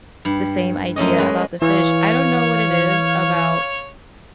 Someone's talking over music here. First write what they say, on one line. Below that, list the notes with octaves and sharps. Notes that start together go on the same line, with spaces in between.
the same idea about the fish, I don't know what it is about,
G2
F#2 A3 C#4 D#5
G#3 B4
E3 C#5 F5